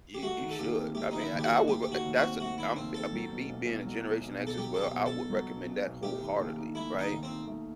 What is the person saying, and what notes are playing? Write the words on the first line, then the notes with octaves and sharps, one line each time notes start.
you you should. I mean, I I would, but i that's a I'm I mean, me being a Generation X as well, I would recommend that wholeheartedly, right?
G4
A3 F#4
D#3
A4
D#2 G4
C4
A3 G4
D#3 D#4
E4
D#2
G4
F#4
C4
A3 G4
D#3 G4
F#4
D#2
F#4
C4
A3 F#4
D#3 E4
D#2 C4
C4 A4
F#3
B2
B1
B1
F#3
B2
B1
B1
A4
F#3 G4
B2 A4
G4
B1
A4
B1
F#3
B2
B1
B1
A3 G4
D#3
D#2
D#4
A3 E4
D#3
D#4
D#2
C4
D#4
A3